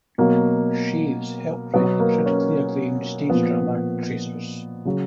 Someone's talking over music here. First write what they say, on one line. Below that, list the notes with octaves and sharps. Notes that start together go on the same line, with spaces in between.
Chaves helped write the critically acclaimed stage drama "Tracers".
B2 F#3 A#3
B2 F#3 B3
A#3
C#4
A#2 F3 B3
C#3 F#3